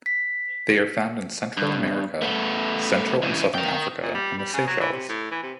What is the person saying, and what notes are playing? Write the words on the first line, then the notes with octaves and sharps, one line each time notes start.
They are found in Central America, Central and Southern Africa and the Seychelles.
B6
G2
A3 B3
C#2 E3
A#4 G5
A#2
G3
G3
C#3
F#3
E3
C3
A2
E3
C3